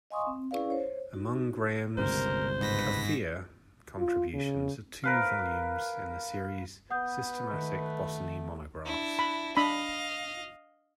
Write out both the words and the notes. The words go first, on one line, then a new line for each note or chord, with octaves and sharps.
Among Graham's "Cuphea" contributions are two volumes in the series "Systematic Botany Monographs".
D#5 F5 G#5 C6 C#6 D#6
C4
C#4 E4 G#4 B4 D5 F5
C5 C#5
D#4 F#4
G1 C#2 C3 A#4 C5
G#2 B4 A#6 B6
F4
C#3
A#4 B4 F5
B3 B4 F#5 D#6 G6
D#3 A3 D#5
D4 E4
B5
D4 D#5 F5 B5